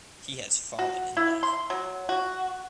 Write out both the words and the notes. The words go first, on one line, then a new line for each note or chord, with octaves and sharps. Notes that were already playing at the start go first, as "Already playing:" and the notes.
He has fallen in love.
F#4
E4
C6
F#3
F#4